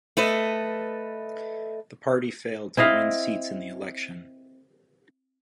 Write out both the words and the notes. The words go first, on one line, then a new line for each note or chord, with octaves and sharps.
The party failed to win seats in the election.
A3 A4 B4 D#5
C4 E4 D#5 F5